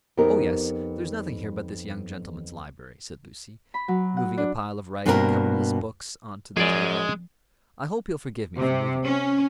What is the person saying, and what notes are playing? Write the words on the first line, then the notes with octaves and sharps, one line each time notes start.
"Oh, yes; there is nothing here but this young gentleman's library," said Lucy, moving a pile of ragged, coverless books on to the table. "I hope he'll forgive me for moving them."
F2 B3 D#4 G4 A#4
B5
F#3
F#5
D4
G2 B2 A#3 C4 F#4 A#4
F#2 F3 G#3 G#4 D5
C3
C#4